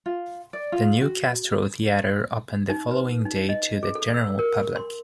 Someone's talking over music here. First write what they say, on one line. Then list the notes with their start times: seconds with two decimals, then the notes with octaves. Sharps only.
The new Castro Theatre opened the following day to the general public.
0.06 F4
0.53 D5
0.72 F4
1.02 F#4
2.70 D#4
2.91 B4
3.25 D#4
3.49 D#5
3.83 G#4
3.95 A4
4.14 E6
4.39 A#4
4.76 C6